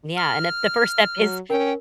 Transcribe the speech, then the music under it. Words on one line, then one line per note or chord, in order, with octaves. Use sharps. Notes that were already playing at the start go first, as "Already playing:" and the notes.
Yeah, and if the first step is
F6
F#3
C#4 A#4 G5